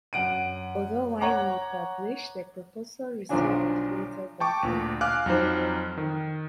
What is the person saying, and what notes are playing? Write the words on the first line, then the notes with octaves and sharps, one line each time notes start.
Although widely published, the proposal received little backing.
F#2 F#5 D7 D#7
C#5 F#5 A#5 D6
B1 D3 F3 F#3 D4 G#5
G5 A5 C#6 D6
D2 A#2
F5 G#5 D6 F6 F#6
F2 F#3 D#4 C5
D#3